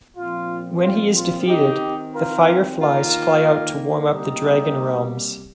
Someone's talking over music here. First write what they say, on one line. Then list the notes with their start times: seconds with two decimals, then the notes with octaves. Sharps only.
When he is defeated, the fireflies fly out to warm Up the Dragon Realms.
0.16 A#2 F3 C4 F4
0.83 F4
1.16 F4
1.48 D#3 C4 D#4 G4
2.14 F4 A#4
2.80 D#3 A#3 F4 A#4
4.13 C3 G3 A#3 D#4 G4